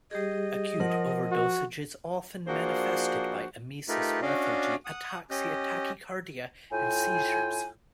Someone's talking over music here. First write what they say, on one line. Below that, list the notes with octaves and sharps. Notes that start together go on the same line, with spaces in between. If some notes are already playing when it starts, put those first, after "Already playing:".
Acute overdosage is often manifested by emesis, lethargy, ataxia, tachycardia and seizures.
G3 G4 G#4 D#5
F3 A#4 F#5
F#4
F3 A#3 D4 F#4 G#4 C5
A3 D#4 F4 G4 A#4 B4
C#4 D4 F#4 D5 D#5 F5
F#5 D#6
C#4 G4 D#5
A2 F4 G5 G#5